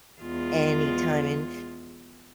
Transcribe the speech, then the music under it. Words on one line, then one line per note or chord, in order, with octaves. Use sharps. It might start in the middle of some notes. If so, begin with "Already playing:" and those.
anytime in
E2 G#3 F4